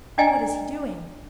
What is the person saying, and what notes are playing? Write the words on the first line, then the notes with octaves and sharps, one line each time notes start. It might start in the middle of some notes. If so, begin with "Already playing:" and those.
What is he doing?
D4 D5 D#5 G5 G#5 A#5